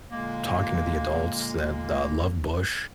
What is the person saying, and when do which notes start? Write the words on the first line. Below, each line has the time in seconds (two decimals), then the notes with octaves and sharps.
talking to the adults that, uh, loved Bush,
0.11 A#2 D3 G#3 A#3